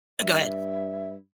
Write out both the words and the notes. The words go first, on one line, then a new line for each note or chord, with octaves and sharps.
uh, go ahead.
G2 E5